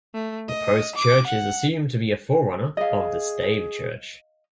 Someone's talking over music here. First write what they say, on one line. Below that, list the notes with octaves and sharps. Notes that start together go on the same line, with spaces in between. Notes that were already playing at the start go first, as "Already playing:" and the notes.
The post church is assumed to be a forerunner of the stave church.
A3
D#5
D6
F#5
G#4 D#5 F5